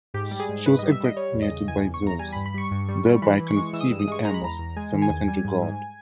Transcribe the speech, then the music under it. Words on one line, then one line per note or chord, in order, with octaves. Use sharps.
She was impregnated by Zeus, thereby conceiving Hermes, the messenger god.
G#2 G4
G3
G#4
G#2
G#2 B4
G3 D#5
E5
G3 D#5
G3 C#5
E2
D#5
C#3
E2 G#5
E2
C#6
E2 A#5
G3 G#5
G2 B5
B5
G3 C#6
G2
G3
G3
E3 B5
E3
C#6
G#3
E3 E6
D#6
G2 E6
D#6
G#3 C#6
G#3 A#5
B5
E2 A#5
E2
G#3 G#5
D#3
G#5
E2
G3
G#2
G#2